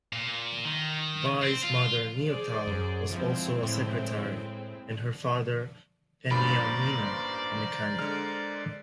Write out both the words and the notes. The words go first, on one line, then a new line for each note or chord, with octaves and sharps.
Vai's mother Niutao was also a secretary, and her father Peniamina a mechanic.
A#2
D#3
C4
F4
G#4 C5 D5
F#2
F3 G#3 C4 E4
A2
A1 G2 A#2 A#4 C5 D5 B5
D3 G#3 F6